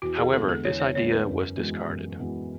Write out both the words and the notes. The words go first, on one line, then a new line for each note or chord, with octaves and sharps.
However, this idea was discarded.
E2 F#4
G#4
D3 G#3 B3 E4 A4
A4
E2 C#5
C#5
D3 G#3 B3 E4 C#5
B4
F#2
E3 G#3 B3 F#4
F#2
E3 G#3 B3 F#4